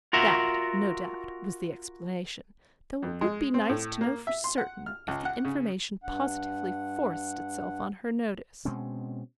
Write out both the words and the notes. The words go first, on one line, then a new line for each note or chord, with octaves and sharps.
That, no doubt, was the explanation, though it would be nice to know for certain, if the information positively forced itself on her notice. . . .
F4 F#4 A#4 E5
F2
G#3
C4
A2
A#3
E5
C6
F#5
F6
C#2
F#5
C#3
G2 F#5
B2 G#3 C4 C#4